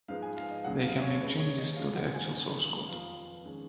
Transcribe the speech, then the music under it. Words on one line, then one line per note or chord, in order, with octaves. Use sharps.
They can make changes to the actual source code.
G#2 F3 G#3 B3 F5
G#5
F5
D#5
D#2 C#3 F#3 F#5
F5
C#5
D#2 C#3 G#3 C#4 B4
C#5
D#5
D#2 C#3 F3 G#3 F5
F#5
G#5
F#2 D#3 A#3
F2 F3 B3 F5
D#3 G#3 C#4